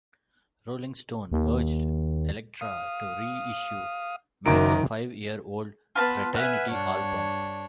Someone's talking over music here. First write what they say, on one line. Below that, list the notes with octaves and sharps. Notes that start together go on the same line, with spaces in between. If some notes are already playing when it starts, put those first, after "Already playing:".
"Rolling Stone" urged Elektra to reissue Mack's five-year-old Fraternity album.
D#2
F5 D#6
F#1 D#3 F#4 A#5 D6 D7
B3 F4 B4 A5
B4 E5 F#5 G#5 F6
G2 D4 C#5